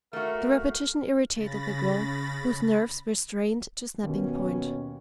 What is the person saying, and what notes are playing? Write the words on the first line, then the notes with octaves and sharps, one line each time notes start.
The repetition irritated the girl, whose nerves were strained to snapping point.
A3 F#4 A#4 F5
C#3 B5 A6 A#6
D#2 B2 C#4